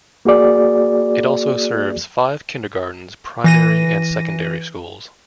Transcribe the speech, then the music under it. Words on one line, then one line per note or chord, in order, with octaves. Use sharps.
It also serves five kindergartens, primary and secondary schools.
A#3 F#4 G#4 D5
E3 A#6 D#7